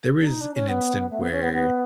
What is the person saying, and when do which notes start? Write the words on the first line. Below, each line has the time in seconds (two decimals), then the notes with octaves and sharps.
there is an instant where
0.19 D4
0.26 D#4
0.40 D4
0.54 C#4
0.68 B3
1.10 A3
1.20 B3
1.31 C#4
1.42 B3
1.52 B3